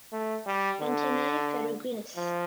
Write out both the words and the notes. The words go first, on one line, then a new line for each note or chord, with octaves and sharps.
Antennae ferruginous.
A3
G3
D3
F3